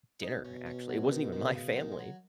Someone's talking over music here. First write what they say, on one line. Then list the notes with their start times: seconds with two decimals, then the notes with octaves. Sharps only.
dinner, actually. It wasn't even my family,
0.22 B2 D#4
0.45 C#4
0.66 C#4
0.89 F#3
1.11 D#3
1.32 D#3
1.55 C#3
1.72 F#3
1.76 D#3
1.92 G#3
1.99 F#3